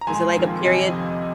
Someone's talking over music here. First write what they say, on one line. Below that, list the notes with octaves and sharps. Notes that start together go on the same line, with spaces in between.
Was it like a period
A#5
A#2 F3 G#3 G#5 C6
F2 D#3 C4 F4
F2 C3 F3 D#5 G#5